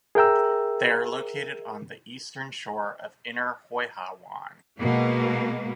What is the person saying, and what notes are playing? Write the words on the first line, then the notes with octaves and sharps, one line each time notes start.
They are located on the eastern shore of inner Hoi Ha Wan.
G#4 A#4 E5 G5 A#5 E6
B2 G#3 A#3